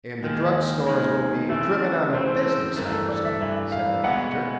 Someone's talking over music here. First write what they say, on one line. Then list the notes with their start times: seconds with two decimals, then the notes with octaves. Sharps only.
"And the drug stores will be driven out of business, I presume," said the Doctor.
0.23 D#2 D#3 G#3
0.86 D#2 D#3 G#3
1.49 C#3 E3 A3 C4 E5
2.13 C#3 E3 A3 C4 C5
2.76 G2 E3 A3 A#4
2.93 A4
3.08 D5
3.25 E5
3.41 G2 E3 A3 E5
3.72 F5
4.04 B2 G#3 B3 F#5